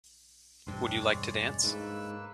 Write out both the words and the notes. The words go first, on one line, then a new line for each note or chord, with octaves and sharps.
Would you like to dance?
E1 G2 C4 D4 C6
G#3 C#5 D5
G#2 A#3 B4 E6